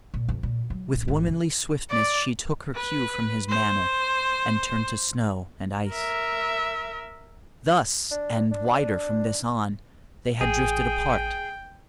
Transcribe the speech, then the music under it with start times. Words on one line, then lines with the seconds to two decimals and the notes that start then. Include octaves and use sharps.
With womanly swiftness she took her cue from his manner, and turned to snow and ice. Thus, and wider from this on, they had drifted apart.
0.14 A#2
0.28 F2
0.43 A#2
0.70 F#3
0.93 A1
1.08 G#1
1.28 C#3
1.90 D5
2.75 B4
3.49 C5
5.90 A#4 E5
8.11 D4
8.51 D4
10.41 A1 G#4 G5